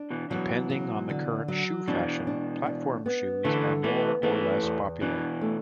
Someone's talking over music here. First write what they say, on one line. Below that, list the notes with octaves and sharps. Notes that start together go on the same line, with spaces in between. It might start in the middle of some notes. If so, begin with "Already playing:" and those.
Depending on the current shoe fashion platform shoes are more or less popular.
Already playing: D4
B2 E3
B2 E3 F#3
F#3
D3
F#3
B2 E3 D4
D4
D4
B3
D3 E3 A3
E3 A3 B3
E3 A3 B3
E2
B2 E3 D4
A3